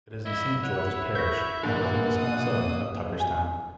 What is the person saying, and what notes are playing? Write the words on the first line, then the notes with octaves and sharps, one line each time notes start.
It is in Saint George's Parish, and within the small settlement of Tucker's Town.
E4 D#5 E5
E4 C#5 F#5
F#4 E5 G6 A#6
A#1 D#3 A#3 F5 F#5
D#6
G#5